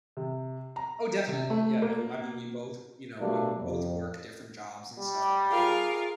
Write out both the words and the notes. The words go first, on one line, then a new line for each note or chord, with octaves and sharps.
Oh, definitely. Yeah. No. I mean, we both, you know, we both work different jobs and stuff like that,
C3
A#5
C3
A3
A#3
B2 F#3 G3 A3 A#3 D4
F2
G3
F4 G#4 A#4 F5